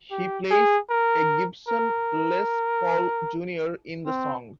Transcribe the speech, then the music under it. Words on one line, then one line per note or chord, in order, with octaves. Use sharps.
He plays a Gibson Les Paul Junior in the song.
G4
G#4
A#4
A#4
C4